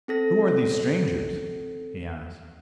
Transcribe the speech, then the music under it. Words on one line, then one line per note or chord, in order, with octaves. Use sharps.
"Who are these strangers?" he asked.
C4 A4 A#6